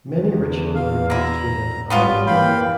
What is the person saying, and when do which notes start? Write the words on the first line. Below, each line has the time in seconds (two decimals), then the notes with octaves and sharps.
Many rituals were used to identify a vampire.
0.15 E2
0.75 F5
1.10 D3 E4 A#5
1.90 G#1 G3 B3 C#4 F4 B5
2.27 E3 A#3 F5 G5 B5